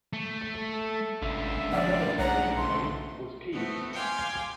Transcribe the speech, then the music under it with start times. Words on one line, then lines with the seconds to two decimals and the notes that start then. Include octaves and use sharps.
Another variant name was Keyes.
0.13 A3
0.72 A4
1.22 G#1 C#2 D3 E5
1.72 F3 D5
2.19 B1 F#5 A#5
2.57 A3 C6
3.52 A3 B3 C4
3.94 F5 G5 G#5 C6 D6